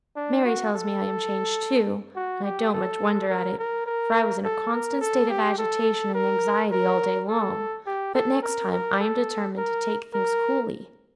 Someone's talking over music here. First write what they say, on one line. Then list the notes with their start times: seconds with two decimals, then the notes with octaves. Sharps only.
'Mary tells me I am changed too; and I don't much wonder at it, for I was in a constant state of agitation and anxiety all day long: but next time I am determined to take things coolly.'
0.16 D4
0.45 F#4
0.74 A4
2.16 F#4
2.44 G4
2.73 A4
3.29 A#4
3.59 A#4
3.86 A#4
4.44 A4
4.73 A#4
5.01 A4
5.30 G4
5.59 A4
6.14 A#4
6.72 A#4
7.29 A4
7.87 G4
8.15 A4
8.43 A#4
8.72 A#4
9.00 A4
9.58 A#4
10.14 A#4